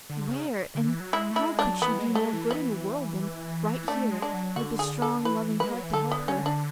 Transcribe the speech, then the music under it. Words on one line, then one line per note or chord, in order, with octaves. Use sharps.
Where, and how could she do more good in the world than right here with this strong, loving heart to help her?...
D3
C#3
D3
E3
F#3
G#3 E4
A3
E4
G#3
D4
F#3
E3 B3
G#3
F#3
G#3 A3
E3
B3
A3 D4
G#3
D4
F#3
D3 F#4
G#4
A4
E3 B4
G#3 B4
F#3
E3
D3 A4
B3
C#4
D4